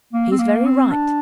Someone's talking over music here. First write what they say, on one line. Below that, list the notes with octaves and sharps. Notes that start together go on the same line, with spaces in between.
He's very right.
A#3
C4
A#3
C4
D4